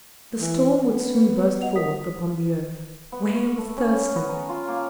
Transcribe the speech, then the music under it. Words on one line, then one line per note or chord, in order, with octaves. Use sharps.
The storm would soon burst forth upon the earth; where was Thurston?
E3
B3
D#5 F#5 F7
A#4 D#6 B6
B3
C#6
A3
C#4
C#4
B3
A#5
F4
A#3